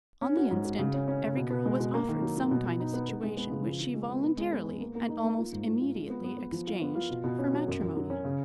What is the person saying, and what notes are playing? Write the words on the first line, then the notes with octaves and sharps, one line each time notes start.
On the instant, every girl was offered some kind of situation, which she voluntarily and almost immediately exchanged for matrimony.
C#4
F#4
G#2
F#4
C#3
C#4
C#4
C#3
B2
B2
G#3
B2
A#3
D#3
F#3
F#3
B2
B2
D#4
B3
B3
G#3
B3
C#3
F3
F3
G#3
B3
B3
G#3
B3
B3
A#3
A#3
D#4
A#3
F4
G#2
F4
F4
G#3
B3
B3
B3
F3
F4
B3
F4
B2
B2
C#4
F#3
F#2
F#2
F#3
C#4
C#3